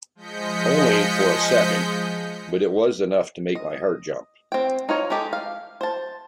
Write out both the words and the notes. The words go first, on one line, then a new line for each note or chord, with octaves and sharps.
Only for a second, but it was enough to make my heart jump.
F3 G#3 D#5 G6 B6 C#7
D#5
C4 G5
D#4 F4 C#5
G#3 D#4 G4 A4
F5
C5 A5